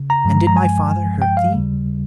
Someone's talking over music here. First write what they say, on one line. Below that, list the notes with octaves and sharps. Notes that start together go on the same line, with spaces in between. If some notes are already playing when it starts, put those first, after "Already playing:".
"And did my father hurt thee?"
Already playing: C#3
A#5
G2 F3 G#3
A#5
G#5
G5
F5
D#2 C#3 G3